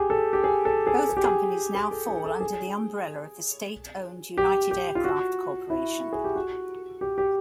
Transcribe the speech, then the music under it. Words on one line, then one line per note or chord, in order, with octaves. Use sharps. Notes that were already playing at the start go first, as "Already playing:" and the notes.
Both companies now fall under the umbrella of the state-owned United Aircraft Corporation.
Already playing: G4 G#4
A4
G4
G#4
A4
G#4
G#4
G4
G#4
G#4
A4
G#4
A4
G#4
G4
G4
F4
F#4
E4
G#4
G4
F#4
G4
G4